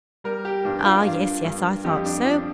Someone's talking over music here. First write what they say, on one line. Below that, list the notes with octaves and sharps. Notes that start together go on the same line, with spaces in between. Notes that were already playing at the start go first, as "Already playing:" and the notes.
Ah, yes, yes; I thought so.
G3 A#4
G4
G2 D4
F4
D4
G2 F4
G2
F2 G4
D4
F3 D4